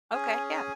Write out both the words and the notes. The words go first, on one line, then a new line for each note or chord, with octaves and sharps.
Okay, yeah.
C#4 G#4 G#5
G#5